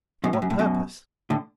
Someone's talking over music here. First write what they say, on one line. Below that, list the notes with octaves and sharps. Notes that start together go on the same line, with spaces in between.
To what purpose?
F#2 B2
A2
F#2
A2
F#2 B2
A2 D3